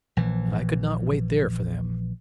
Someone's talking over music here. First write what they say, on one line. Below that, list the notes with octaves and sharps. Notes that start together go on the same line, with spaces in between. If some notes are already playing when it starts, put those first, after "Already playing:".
But I could not wait there for them.
A#1 E3